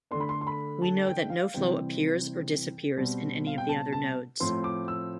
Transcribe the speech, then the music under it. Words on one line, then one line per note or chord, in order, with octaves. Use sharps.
We know that no flow appears or disappears in any of the other nodes.
D3 A3 D4 C6
B5
C6
C6
B5
A5
G5
F5
C3 E3 G3 C4 G5
B2 G3 C4
F5
G5
A5
A5
A2 F3 C4 C6
D6
E6